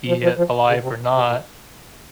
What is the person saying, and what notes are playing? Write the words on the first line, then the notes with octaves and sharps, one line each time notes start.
be it alive or not,
F3
F3
F3
C#3
C3
C3
A#2